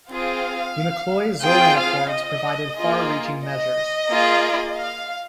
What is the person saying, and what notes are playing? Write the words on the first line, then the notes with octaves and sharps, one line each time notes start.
The McCloy-Zorin Accords provided far-reaching measures.
C4 F4 G#4 F5
C4 F4 G#4 G5
F5
D#5
A#3 F4 G#4 D#5
D#5
A#3 F4 G#4
F5